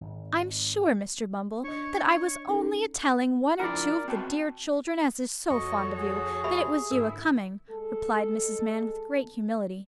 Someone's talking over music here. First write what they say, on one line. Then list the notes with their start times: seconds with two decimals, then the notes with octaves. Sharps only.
'I'm sure Mr. Bumble, that I was only a telling one or two of the dear children as is so fond of you, that it was you a coming,' replied Mrs. Mann with great humility.
0.01 G#1
1.64 D4 C#5 D#5 C#6
2.49 C#4 D#4 A4
3.60 F3 D4 E4 A#4 D5
4.08 C4 F#4 A5
5.50 F2 F#4 A4 C#5 D#5 C#6
5.97 G#4
6.44 G4 E5 B5
6.91 G#2 D3 E4 A#4
7.70 G#3 A4